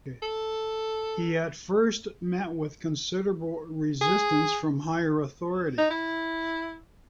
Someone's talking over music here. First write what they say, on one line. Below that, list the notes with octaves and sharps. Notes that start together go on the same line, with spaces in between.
He at first met with considerable resistance from higher authority.
A4
G#4
D#4
E4